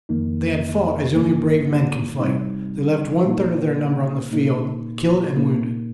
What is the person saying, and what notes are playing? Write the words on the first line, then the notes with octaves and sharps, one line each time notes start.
They had fought as only brave men can fight; they left one-third of their number on the field, killed and wounded.
F2 D#3 A#3 D#4
G2 D#3 A#3 D#4
C3 G3 C4 D#4
A#2 A#3 D#4
A#2 A#3 D#4
A#2 A#3 D#4